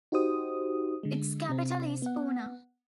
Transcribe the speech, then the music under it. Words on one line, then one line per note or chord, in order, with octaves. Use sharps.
Its capital is Puna.
D#4 F#4 G4 C5 D#6
D3 G#3
C3 C4
B3 F#5